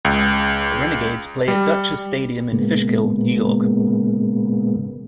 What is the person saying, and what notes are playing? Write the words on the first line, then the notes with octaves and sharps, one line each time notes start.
The Renegades play at Dutchess Stadium in Fishkill, New York.
C#2
G3
A#2 C#3 G#3 A#3 B3